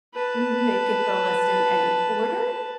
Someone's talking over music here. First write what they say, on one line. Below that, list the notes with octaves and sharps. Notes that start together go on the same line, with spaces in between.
m make it the list in any order.
B4 A5